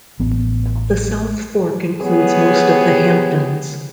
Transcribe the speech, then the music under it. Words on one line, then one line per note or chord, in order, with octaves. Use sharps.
The South Fork includes most of the Hamptons.
A1 B3
B3 G4 G#4 C#5